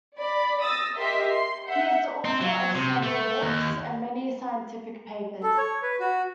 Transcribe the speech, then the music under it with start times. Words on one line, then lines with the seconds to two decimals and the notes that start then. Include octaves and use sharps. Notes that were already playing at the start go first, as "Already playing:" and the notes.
He is the author of several books, and many scientific papers.
0.17 D5 B5
0.60 D#6 E6 A6 A#6
0.97 G4 A#4 D#5 E5 C6 B6
1.28 C6 C7
1.68 E5 F#5 G6
2.25 C4
2.41 F#3
2.75 C3
3.02 A3
3.42 D#2
5.43 A4
5.58 C#5
5.82 B4
6.00 F#4